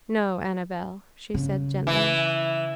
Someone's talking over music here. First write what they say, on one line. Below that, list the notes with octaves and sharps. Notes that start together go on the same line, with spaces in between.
"No, Annabel," she said gently.
C#3
E3